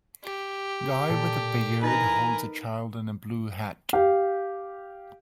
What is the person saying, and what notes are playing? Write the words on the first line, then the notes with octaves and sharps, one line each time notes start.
Guy with a beard holds a child in a blue hat.
G4
A#2 A4
E3 D#4 A#4 B4 G#5 A#5 A6
G4 F5